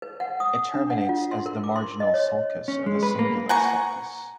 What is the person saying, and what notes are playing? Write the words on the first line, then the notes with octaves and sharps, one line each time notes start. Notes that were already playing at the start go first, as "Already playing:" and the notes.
It terminates as the marginal sulcus of the cingulate sulcus.
B4
F#5
D#6
D4
F#5
F4
C6
A#4
D6
C6
D#5
C#5
C#4
G#3
B4
A#3
F#5 G#5 A#5 C#6